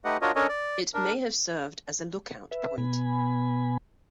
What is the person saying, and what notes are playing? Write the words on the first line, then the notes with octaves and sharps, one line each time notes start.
It may have served as a look-out point.
A3 D#4 G4 B4 D#5 F#5
D4 F4 F#4 A#4 C#5 D#5
C#4 D4 A4 A#4 C#5 D#5
D5
D4 A#4
B4 E5
B2 B3 G#5 B5